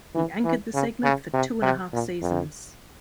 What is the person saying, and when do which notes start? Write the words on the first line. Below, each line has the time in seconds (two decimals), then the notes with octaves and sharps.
He anchored the segment for two-and-a-half seasons.
0.15 E3
0.44 E3
0.74 C#3
1.04 C#3
1.33 C3
1.62 C3
1.93 A#2
2.22 F2